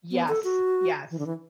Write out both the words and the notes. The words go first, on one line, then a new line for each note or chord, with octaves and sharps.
Yes. Yes.
B3
A4
F#4
E3
D3
E3